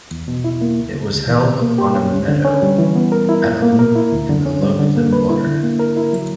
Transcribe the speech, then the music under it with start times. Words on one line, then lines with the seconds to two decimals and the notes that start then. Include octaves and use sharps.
It was held on a meadow at a loop in the Lugton Water.
0.11 E2
0.28 B2
0.44 E4
0.61 A#3
0.78 D2
0.94 C#3
1.11 D2
1.28 E3
1.45 B2
1.61 A#3
1.78 G4
1.95 C#4
2.12 D2
2.28 D3
2.45 C#4
2.62 G3
2.79 E3
2.95 B3
3.12 A#4
3.29 E4
3.45 A#2
3.62 A#3
3.79 A#4
3.96 E4
4.13 D2
4.29 D3
4.46 C#4
4.63 G3
4.79 D3
4.96 A#3
5.13 B4
5.29 E4
5.46 D3
5.63 A#3
5.79 A#4
5.96 E4
6.13 F#3